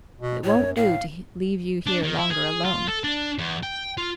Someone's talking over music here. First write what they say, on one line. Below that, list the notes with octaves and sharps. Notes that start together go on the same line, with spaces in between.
It won't do to leave you here longer alone.
B2
A2 C#5
F#2
A2 F5
D4
D#3
E4
G#4
F4
A4
D4
E2
G5
F4